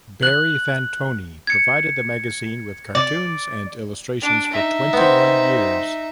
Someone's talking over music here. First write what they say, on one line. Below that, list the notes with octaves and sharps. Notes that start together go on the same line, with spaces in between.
Barry Fantoni provided the magazine with cartoons and illustrations for twenty-one years.
F#6 F#7
G#6 C#7
D5
D4
D#4 E5
B3 C4